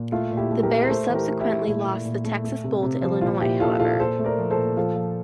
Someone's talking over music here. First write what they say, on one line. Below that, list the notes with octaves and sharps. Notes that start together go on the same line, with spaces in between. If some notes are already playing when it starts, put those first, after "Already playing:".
The Bears subsequently lost the Texas Bowl to Illinois, however.
Already playing: A#2
A3 F4
A#2
E4 G4
A3
G4 A#4
A3
A#4
A3 A4 C5
E3
G4 A#4
A3
E4 G4
A3
A#2 E4
A#2
A#2
A3
A3
C3
C3
F3
A#2 F4
A#2 E4 G4
A#2 F4 A4
A#2 F4 A4
A#2 A4 C5
A3
A#4 D5
F3
A4 C5
A#2
F3 F4 A4
F3